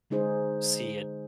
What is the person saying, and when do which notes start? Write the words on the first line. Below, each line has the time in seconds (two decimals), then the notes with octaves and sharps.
see it
0.10 D3 G#3 D#4 G#4 C5